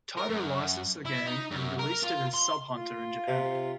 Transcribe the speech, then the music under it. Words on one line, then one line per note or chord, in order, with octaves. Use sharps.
Taito licensed the game and released it as Sub Hunter in Japan.
A#4
F#2
E4
D#4
F#2
A#4
F4
C6
F4
C3